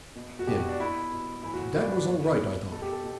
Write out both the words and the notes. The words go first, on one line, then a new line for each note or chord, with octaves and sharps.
HIM: That was all right, I thought.
B2
F#4
B2 G4
F#4
D4
B2 E4
B2
A2 E3 E4
F#4
A2 E3 D4
B4
B2 C#5
B4
B2
B2 A4
G4
A4
B2